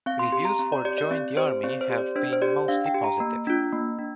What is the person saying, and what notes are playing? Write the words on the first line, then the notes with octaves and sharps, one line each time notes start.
Reviews for "Join the Army" have been mostly positive.
C4 F5
C6
G4 C6
A#5
C4
D5
G4 D5
D5
C4 D5
G4 C5
C4 D5
C5
G4
D5
D4 C5
C5
G4 D5
D4 F5
G5
G4
A#5
A#3
D4 F4
A#3
D4